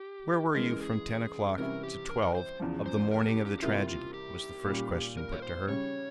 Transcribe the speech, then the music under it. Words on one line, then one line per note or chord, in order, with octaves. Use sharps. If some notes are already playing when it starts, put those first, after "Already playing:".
"Where were you from ten o'clock to twelve of the morning of the tragedy?" was the first question put to her.
Already playing: G4
C#3 E3 G#3 A#4
G#4
C3 E3 G3 C#4 E4 A#4
G4
A#4
A#4
C5
E2 C#3 F3
C5
A#4
G4
G4
G4
C3 G3 A#3 E4 F4
F4
G4
A#2 G3 C#4
A#4
C#5
C5
C#3 G3 C#4 C#5